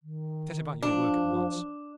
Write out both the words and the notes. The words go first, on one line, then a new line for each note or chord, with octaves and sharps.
'Set about your work at once.
D#3
F3 D4